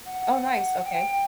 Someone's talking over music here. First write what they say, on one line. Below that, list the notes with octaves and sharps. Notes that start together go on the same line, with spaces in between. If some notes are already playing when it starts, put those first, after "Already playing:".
Oh, nice, okay.
F#5
G5